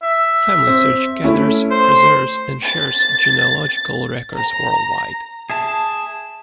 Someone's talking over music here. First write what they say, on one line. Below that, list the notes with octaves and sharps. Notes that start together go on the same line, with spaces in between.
FamilySearch gathers, preserves, and shares genealogical records worldwide.
E5
C4
A3 C#4 E4
C5
A6
A#5
G#4 E5 A5